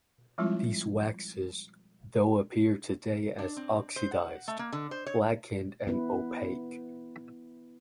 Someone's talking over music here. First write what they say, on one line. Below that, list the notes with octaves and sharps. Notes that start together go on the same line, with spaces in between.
These waxes, though, appear today as oxidized, blackened and opaque.
F3 G3 G#3 C4 E4 F4
D4
C4
C5
F#5
A3
A#3
D3
C5
C#5
B3 E4 B4